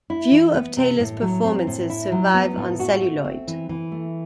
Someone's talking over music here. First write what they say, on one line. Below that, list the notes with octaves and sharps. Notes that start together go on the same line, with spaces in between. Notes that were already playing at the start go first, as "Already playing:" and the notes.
Few of Taylor's performances survive on celluloid.
E4
E3
B3
C3
A2
F#3
C4
A2
E4
F#3
B3
A2
F#4
A3
C4
E3
E3
A3